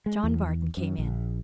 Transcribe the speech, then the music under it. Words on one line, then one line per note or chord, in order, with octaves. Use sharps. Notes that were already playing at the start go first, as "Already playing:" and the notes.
John Barton came in.
G#3
E2
F#2
A#1